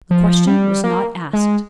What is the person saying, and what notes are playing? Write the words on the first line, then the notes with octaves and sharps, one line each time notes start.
The question was not asked.
F3
G3
A#3
G#3